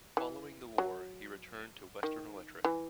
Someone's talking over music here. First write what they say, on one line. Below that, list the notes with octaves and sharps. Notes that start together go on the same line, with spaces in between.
Following the war he returned to Western Electric.
E3
F#3
D#3
E3